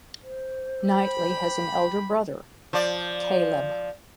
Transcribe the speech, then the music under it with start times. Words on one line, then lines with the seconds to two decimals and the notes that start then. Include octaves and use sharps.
Knightley has an elder brother, Caleb.
0.22 C5
0.93 G4 B5
2.73 F3 D5